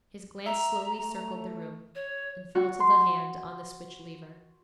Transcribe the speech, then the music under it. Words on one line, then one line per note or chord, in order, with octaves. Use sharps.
His glance slowly circled the room, and fell to the hand on the switch-lever.
E5 A#5
A3
C#5
F#4
C6